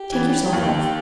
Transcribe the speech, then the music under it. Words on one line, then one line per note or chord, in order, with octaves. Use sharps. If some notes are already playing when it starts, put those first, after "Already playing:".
Take yourself off.
Already playing: G4
E3 B3
D#2